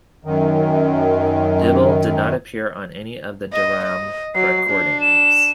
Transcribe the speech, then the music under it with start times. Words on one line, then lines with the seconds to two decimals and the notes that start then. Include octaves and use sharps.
Dyble did not appear on any of the Deram recordings.
0.25 F#2 D#3
3.53 D#5
3.85 D#5
4.35 F#3 C7
4.70 D4
5.01 E7